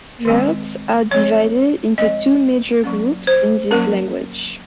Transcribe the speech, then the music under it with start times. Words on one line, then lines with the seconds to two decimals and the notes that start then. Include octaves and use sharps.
Verbs are divided into two major groups in this language.
0.25 D#3 G#3 C4
1.11 F3 G#3 C4 C#5
1.98 F3 G#3 C4 D#5
2.84 F#3 A#3 C#4
3.27 C5
3.71 F#3 A#3 C#4 A#4